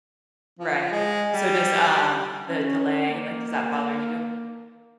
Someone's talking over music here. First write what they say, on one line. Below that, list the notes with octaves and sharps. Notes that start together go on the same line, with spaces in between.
Right, so does, um, the delay, like, does that bother you?
F3
G#3
G3
C#4
A#3